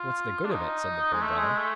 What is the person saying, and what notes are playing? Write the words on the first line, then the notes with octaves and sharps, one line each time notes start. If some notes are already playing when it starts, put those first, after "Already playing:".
"What's the good of it?" said the Poor Brother.
Already playing: F4
D4
D#4
G#3
A3
G#3
A3